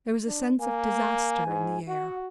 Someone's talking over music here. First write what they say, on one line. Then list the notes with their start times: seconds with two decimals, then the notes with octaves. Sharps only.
There was a sense of disaster in the air.
0.27 D4
0.60 A#3 G#5
1.47 G#2
1.88 F#4 F#5